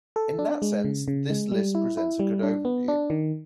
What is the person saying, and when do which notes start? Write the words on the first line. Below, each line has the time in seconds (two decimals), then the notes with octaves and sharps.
In that sense this list presents a good overview.
0.16 A4
0.39 D4
0.62 G#3
0.84 C#3
1.08 C#3
1.30 G#3
1.52 G3
1.75 E4
1.97 E4
2.20 G3
2.43 D4
2.65 B3
2.88 D4
3.10 D#3